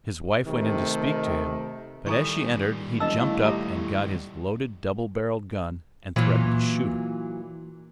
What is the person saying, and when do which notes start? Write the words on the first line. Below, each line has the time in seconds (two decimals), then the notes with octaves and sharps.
His wife went in to speak to him, but as she entered he jumped up and got his loaded double barrelled gun and threatened to shoot her.
0.46 C3 D#3 A3
2.07 D#3 G3 E4 A4 G#5 A#5 C#6
3.00 E1 D#5 A5 E6
3.20 A2 F5
3.45 G4 D#5 A#5
6.16 A#2 E3 F#3